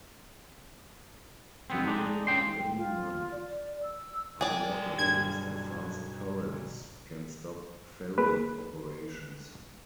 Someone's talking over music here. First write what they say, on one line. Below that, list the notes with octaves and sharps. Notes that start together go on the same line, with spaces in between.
During rainy months, high water levels and fast currents can stop ferry operations.
F2 B3 C4
G#3 D4 D#4
C#2 C#3 G5 C6
G5
F4
D5
E6
B1 G#4 D5 G5
G2 G#6
A#3 G#4 A#4 B4